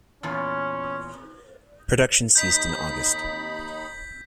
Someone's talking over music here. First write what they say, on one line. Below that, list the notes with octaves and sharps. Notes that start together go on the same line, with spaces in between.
Production ceased in August.
E2 A#2 C#4
D#2 D#4 B5 G6 B6